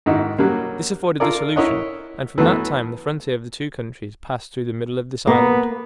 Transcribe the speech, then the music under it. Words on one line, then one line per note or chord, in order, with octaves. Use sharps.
This afforded the solution, and from that time the frontier of the two countries passed through the middle of this island.
G#2 D#3 E4 F#4
F#3 G3 A#3
F4 A4 A#4 D5
E4 A#4 C#5 D#5 F#5
E3 F#3 A3 B3
A#3 B3